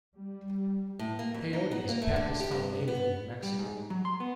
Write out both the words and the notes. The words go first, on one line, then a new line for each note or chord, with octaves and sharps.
Peyote is a cactus found natively in Mexico.
G3
A2
A#3
F2
D#4
B3
A#3
A3
D3
G4
G2
B3
G3
G#2
F#3
C6
B3